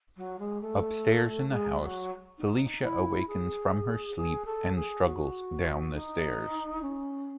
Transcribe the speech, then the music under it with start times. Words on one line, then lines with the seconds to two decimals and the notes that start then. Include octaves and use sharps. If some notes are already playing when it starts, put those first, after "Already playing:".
Upstairs in the house, Felicia awakens from her sleep and struggles down the stairs.
0.16 F#3
0.39 G#3
0.61 A3
1.49 G#3
1.79 F#3
2.38 D#4
2.83 E4
3.27 G#4
4.16 G#4
4.45 A4
4.75 G#4
5.04 F#4
5.93 D#4
6.82 C#4